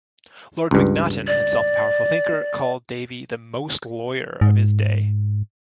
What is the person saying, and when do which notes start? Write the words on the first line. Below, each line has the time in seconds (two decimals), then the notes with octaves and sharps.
Lord MacNaughten, himself a powerful thinker, called Davey the most lawyer of his day.
0.71 C#2 G2
1.27 D5
4.41 G#2